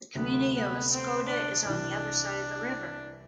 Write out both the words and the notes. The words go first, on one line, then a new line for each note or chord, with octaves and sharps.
The community of Oscoda is on the other side of the river.
D2 C3 F#3 A3 B3
B3
C4
D4
C2 C3 E3 D4